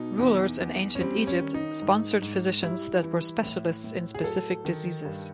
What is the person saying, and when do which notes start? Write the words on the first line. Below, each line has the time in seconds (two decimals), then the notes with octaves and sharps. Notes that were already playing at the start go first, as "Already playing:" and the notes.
Rulers in Ancient Egypt sponsored physicians that were specialists in specific diseases.
Already playing: B2 D#4
0.19 E2
0.60 E2
0.95 C#4
1.01 G3 C4
1.27 C#4
1.41 D#3
1.54 D#4
1.82 G#2
2.22 G#2
2.62 G3 E4
3.03 E3
3.43 A2
3.84 A2
4.14 G#4
4.24 F#3 A4
4.65 D#3
5.05 G2